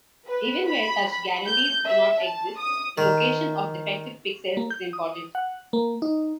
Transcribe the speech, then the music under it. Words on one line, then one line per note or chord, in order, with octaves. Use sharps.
Even where such guarantees do not exist, the location of defective pixels is important.
B4
B5
B5
G6
E5
A5
D#6
D#3
A#3
G6
D#6
F#5
A#3
D#4